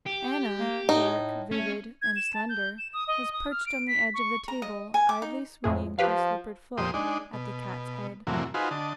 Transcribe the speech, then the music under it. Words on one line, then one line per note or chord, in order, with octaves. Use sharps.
Anna, dark, vivid, and slender, was perched on the edge of the table, idly swinging her slippered foot at the cat's head.
G4
A#3
A2 D#4
A3 C#4
G#6
E7
A5
G6
E7
D#6
D#5
D#6
F6
D7
B6
C#6
A#5
D#5
G#5
D6
D#4
F2 A2 G#4
F3 G4 B4 F5
F2 A#2 G4 C5 D#6
G#3 D4 D#4
B2
F2 A2 C3 E3 F#3 A#3
D#4 F4 F#4 G#4 B4 C5
D3 D#5 A5